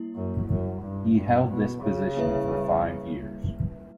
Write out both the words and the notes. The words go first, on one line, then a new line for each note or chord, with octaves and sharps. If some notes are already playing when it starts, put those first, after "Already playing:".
He held this position for five years.
Already playing: G3 A#3 E4
F#2
F#2
G2
G2
B2
C#3
G3 A#3 E4 B4 E5